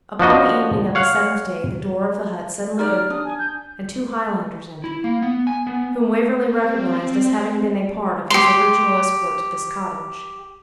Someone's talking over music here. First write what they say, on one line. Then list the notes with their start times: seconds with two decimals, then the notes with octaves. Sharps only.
Upon the evening of the seventh day the door of the hut suddenly opened, and two Highlanders entered, whom Waverley recognised as having been a part of his original escort to this cottage.
0.19 F3 D4 F#4 D#5
0.95 C#5 F5 F#5
2.79 D#4 G4 D5 F6
2.93 F6
3.10 D4 D#6
3.24 G#5
3.39 G6
4.84 E4
5.04 A#3
5.22 B3
5.47 G#5
5.67 B3
6.37 C4
8.30 G4 C6